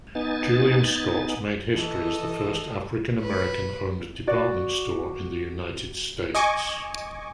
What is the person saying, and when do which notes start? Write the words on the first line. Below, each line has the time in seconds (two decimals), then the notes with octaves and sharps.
Julian Scott made history as the first African-American-owned department store in the United States.
0.15 B3 D#4 G#5 A6
1.75 E3 A4 D#5
3.21 B4
4.27 F#4 D5 A6
6.35 D#5 G#5 C#6 D6